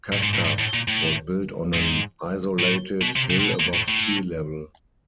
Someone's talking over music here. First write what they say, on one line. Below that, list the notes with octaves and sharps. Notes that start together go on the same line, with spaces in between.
Kastav was built on an isolated hill above sea level.
A2
G#2
A2
G#2
A2
A#2
A2
G#2
A2
B2
C3
C#3
C3
B2
A#2
A2
A2